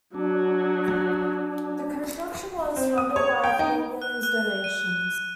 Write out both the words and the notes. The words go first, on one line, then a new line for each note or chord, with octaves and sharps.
The construction was funded by pilgrims' donations.
F#3 D4
C4
D#6
C#5
G5
D#4
F#6
F#6
D#7